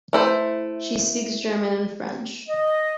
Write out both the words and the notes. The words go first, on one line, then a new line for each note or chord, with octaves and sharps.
She speaks German and French.
A3 E4 C5
D#5